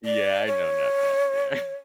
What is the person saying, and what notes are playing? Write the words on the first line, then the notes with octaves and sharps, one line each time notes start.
Yeah, I know, not that, yeah.
D5
C#5